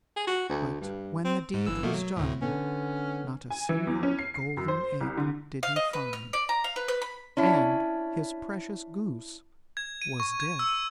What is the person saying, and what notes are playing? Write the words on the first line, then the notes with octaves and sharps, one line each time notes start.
But when the deed was done, not a single golden egg did he find, and his precious Goose was dead.
G#4
F#4
D2
G2
C4
G#2
G1 E3 E6
B2 A3 A#3
F#3
D2 A2
D3 B3 C#4
G#5
E3
E2
C#4
C7
C7
F#2
C5
C2
D3
F5
D#5
B4
F6
D5
A#5
F5
B4
B4
B5
C#4 D4 E4
G#6
D#7
C#6
G#6
E6